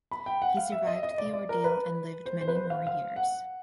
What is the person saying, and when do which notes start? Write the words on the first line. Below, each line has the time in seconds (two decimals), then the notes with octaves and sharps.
He survived the ordeal and lived many more years.
0.11 B5
0.26 G5
0.42 F#5
0.57 F5
0.72 E5
0.87 D#5
1.03 D#5
1.18 D5
1.33 D5
1.49 A#4
1.64 B4
2.26 C5
2.41 C5
2.48 B4
2.56 C5
2.70 F5
2.87 F5
3.16 F#5